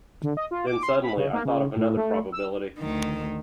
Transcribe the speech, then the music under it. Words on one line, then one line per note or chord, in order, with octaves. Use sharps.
Then suddenly I thought of another probability.
D3
D#5
F4
D6
C6
B5
C#3
A#3
C#3
A2
A3
E6
D2 D#3